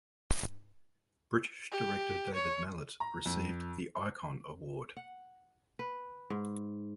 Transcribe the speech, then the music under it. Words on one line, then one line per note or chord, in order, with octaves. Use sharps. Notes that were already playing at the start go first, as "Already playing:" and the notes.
British director David Mallet received the Icon Award.
G4
C#5
A#5
F2
F#5
B4
G#2